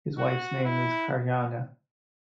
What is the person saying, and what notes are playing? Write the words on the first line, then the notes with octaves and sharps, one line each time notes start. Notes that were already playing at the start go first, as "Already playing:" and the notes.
His wife's name is Karnjana.
F#4
E4